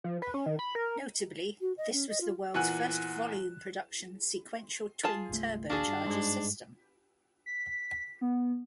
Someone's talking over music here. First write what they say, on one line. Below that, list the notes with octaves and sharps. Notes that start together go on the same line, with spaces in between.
Notably, this was the world's first volume-production sequential twin turbocharger system.
F3
B4
C#4
D#3
B5
A#4
F#4
D#5
C#4
D#5
F4
E2 A#2 F#5 G#5 F#6
F4 G#4 A5
G1 C2 A3
A#1 D#2 D4 F#4 G#4 F5 A5
G2
G#2 G#3
B6
B3